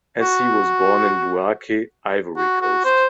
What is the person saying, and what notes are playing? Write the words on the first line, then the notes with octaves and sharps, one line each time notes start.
Essy was born in Bouake, Ivory Coast.
F#4
F#4
F#4
C5